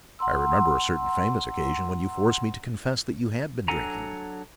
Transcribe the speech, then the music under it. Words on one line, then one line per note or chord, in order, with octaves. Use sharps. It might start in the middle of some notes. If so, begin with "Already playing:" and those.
"I remember a certain famous occasion when you forced me to confess that you had been drinking."
F#5 A#5 C6 E6
F#3 D4 A4 F#5 G#5 A#5